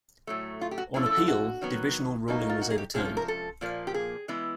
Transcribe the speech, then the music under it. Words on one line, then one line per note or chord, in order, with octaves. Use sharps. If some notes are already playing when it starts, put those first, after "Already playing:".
On appeal, the original ruling was overturned.
A2 F#3 A3
F4
G4
F#4
D3 F3 A3 C#4 E4 G#4
A4
F#4
F#4
D#3 F#3 B3
A2 F#3 A#3 D#4
F4
F#4
G#4
G4
C3 F3 G#3 C#4 G#4
A4
A#4
A4
A#2 F3 A#3
G4
G#4
E3 G#3 B3 E4